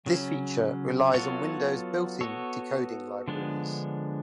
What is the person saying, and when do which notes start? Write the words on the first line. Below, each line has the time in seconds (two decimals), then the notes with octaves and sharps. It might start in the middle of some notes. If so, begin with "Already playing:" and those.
This feature relies on Windows' built in decoding libraries.
0.06 C#3 F#3 C#4
1.14 F#3 B3 F4 A4 C#5
2.21 B3 F#4 A4 C#5
3.28 D3 F3 G#3 B3 D4